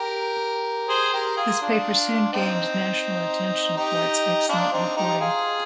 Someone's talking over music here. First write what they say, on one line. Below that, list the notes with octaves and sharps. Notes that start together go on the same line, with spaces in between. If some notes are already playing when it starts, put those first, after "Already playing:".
This paper soon gained national attention for its excellent reporting.
Already playing: G4 A#4
G#4 C5
G4 A#4
F4 G#4
D4 F4
C4 D#4
D#4 G4
D4 F4
C4 D#4
D#4 G4
F4 G#4